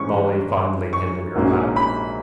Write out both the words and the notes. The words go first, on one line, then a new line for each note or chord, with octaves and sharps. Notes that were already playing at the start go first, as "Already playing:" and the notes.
Molly fondling him in her lap.
Already playing: G#2 E3 G#3 C#4 C#6
C#6
A#1 G#2 F#3 A#3 C#4
B5